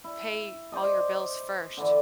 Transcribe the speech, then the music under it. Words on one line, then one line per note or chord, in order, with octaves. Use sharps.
pay all your bills first
E4
C5 D5 D#5
D3 E3